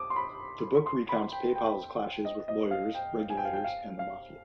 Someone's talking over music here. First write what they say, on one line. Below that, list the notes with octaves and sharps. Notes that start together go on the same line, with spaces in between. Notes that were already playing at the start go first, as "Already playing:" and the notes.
The book recounts PayPal's clashes with lawyers, regulators, and the Mafia.
Already playing: D6 D#6
C6
B5
C6
B5
G5
G5
D#5
D#5
F5
G5
G#5
G5
F5
G5
F5
F5